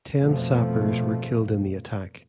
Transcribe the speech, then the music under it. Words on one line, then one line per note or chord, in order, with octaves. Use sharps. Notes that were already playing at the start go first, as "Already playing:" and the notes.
Ten Sappers were killed in the attack.
F2 B2 F3 A3